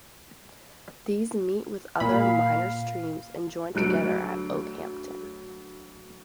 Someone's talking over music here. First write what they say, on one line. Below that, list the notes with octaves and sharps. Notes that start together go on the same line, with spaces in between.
These meet with other minor streams and join together at Okehampton.
A#2 F5 B5
D2 F#3 F#6 D7